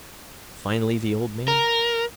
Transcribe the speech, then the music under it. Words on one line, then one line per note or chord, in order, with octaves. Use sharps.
Finally, the old man?
A#4